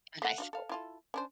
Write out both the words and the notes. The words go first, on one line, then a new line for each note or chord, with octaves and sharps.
in high school.
A3 F#5
D4 F#4 F5
A4 F5
E4 F4 A4
C#4 D4 C5